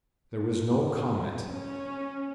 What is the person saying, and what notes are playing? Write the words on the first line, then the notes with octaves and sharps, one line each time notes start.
There was no comment.
C#4